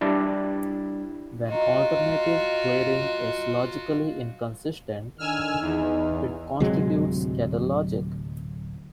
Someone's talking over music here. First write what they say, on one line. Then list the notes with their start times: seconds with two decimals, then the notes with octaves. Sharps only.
When alternative pleading is logically inconsistent, it constitutes kettle logic.
0.01 G3 D4 E4
1.49 F4 F#4 D#5 A#5
5.18 D3 D#3 G#5 E6 F6
5.61 E2 D#4
6.60 D1 C3 F#3 G#3